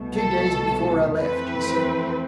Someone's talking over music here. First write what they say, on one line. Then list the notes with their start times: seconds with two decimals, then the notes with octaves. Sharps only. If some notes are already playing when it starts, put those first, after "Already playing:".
"Two days before I left," he said.
Already playing: C2 B2 A3
0.14 A4
1.16 F2 E3 A3 C4 B4